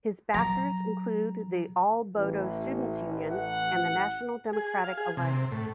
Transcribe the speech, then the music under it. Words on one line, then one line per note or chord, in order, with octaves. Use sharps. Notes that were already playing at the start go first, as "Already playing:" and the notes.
His backers include the All Bodo Students Union and the National Democratic Alliance.
F#3 A#5
A1 E3
F#5
G#4
F5
G#4
C3
A2